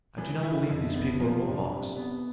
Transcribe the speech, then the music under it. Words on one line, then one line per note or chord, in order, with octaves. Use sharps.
I do not believe these people are Mohawks.
E3
E4
F2
B3
F3
D4
C3
B3